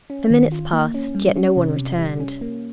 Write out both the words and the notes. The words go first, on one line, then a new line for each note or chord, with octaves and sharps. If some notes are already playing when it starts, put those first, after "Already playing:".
The minutes passed, yet no one returned.
C#4
D#3
F4
A#3
C#4
G3
C#4
C3
C3
G3
C#4
A#3